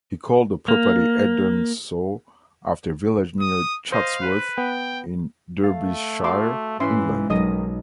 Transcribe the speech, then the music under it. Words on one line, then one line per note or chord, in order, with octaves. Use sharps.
He called the property Edensor, after a village near Chatsworth in Derbyshire, England.
A#3
D#6
C5 D#5 F5
B4
B3 G5
A3 F5 A6
F#4 F5 C6 D6
G#2 E3 C#4 E5 C6
B1 D#3 D#5 D#6